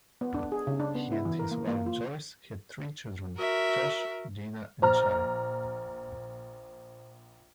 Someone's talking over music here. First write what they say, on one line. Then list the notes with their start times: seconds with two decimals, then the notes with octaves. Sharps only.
He and his wife Joyce had three children - Josh, Deena and Shari.
0.21 B3
0.34 D4
0.52 G#4
0.67 C#3
0.80 D4
0.95 B3
1.12 E4
1.25 E3
1.39 A#4
1.51 A#3
1.68 A#3
1.86 F4
3.36 F#4 A#4 E5
4.82 A#1 C5 A#5 F6